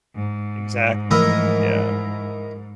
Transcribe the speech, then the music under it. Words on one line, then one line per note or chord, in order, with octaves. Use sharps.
Exactly. Yeah.
G#2
E3 F3 A3 E4 A#4 D#5